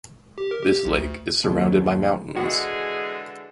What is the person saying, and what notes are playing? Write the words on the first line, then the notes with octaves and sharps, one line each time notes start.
This lake is surrounded by mountains.
G4
A#4
G4
B1
D2
F#1 D#2 F#3
D3 E3 G#3 F#4 G#4